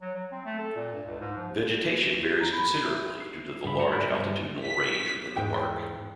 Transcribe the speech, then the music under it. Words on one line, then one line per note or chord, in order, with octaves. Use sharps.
Vegetation varies considerably due to the large altitudinal range within the park.
F#3
F#3
C4
A3
A4
A#2
G2
C#2
G#2
F3
D#2
B4
F#4
G4
A#5
B5
E5
C7
G2 C#3 B5
G4 F#5 A5 A#5
G#2 A#4 B4 B5
B1 G2 A#4
G2 D3
B6
E2 G#2 G5